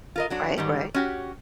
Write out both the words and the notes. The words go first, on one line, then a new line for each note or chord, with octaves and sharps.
Right, right.
F4 A#4 D#5
F#3 D4 F#4
G#2 D#3 G3
C#4 F#4 G4